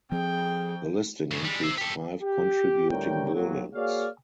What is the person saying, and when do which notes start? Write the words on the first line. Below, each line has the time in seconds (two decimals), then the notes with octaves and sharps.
The listing includes five contributing buildings.
0.12 F3 C4 G#4 G5
1.31 F#2 C#3
1.45 G3 G#3
1.63 C5 E5
1.78 G4 A4
2.23 G4
2.90 D2 A2 G3 A#4 C#5 G5
3.33 D#2 F#3
3.74 A#3 F#4 G#4 C#5 D5 F5